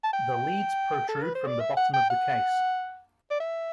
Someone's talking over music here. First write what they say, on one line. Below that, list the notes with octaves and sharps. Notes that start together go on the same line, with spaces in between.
The leads protrude from the bottom of the case.
A5
G5
A4
B4
C5
D5
E5
F#5
G5
F#5
D5
E5